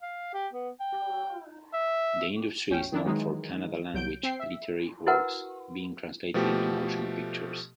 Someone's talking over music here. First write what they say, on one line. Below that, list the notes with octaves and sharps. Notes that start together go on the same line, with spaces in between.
The industry is known for Kannada language literary works, being translated into motion pictures.
F5
G4
B3
G5
E5
A1 E2 C#4 G5
D#3 D4 E4
D#3 E3 F#3 G#3 D#4
C2 F#3 G6 D7
C4 G5 C7
E5
E4 F#4 A#4 B4 F#5
B2 F3 A3 G4